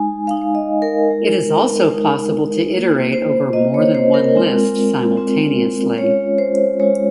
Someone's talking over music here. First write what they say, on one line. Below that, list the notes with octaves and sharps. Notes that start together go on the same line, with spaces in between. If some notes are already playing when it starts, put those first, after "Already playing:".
It is also possible to iterate over more than one list simultaneously.
Already playing: G#3 D#4 G#5
G#3 D#4 F5
D#5
A#4
G#3 D#4
G#3 D#4
A#3 F4
C5
A#3 F4 D#5
C#5
C5
A#4
G#3 C4 F4
G#3 C4 F4
G#3 C#4 F4 C#5
C5
G#3 C#4 F4 C#5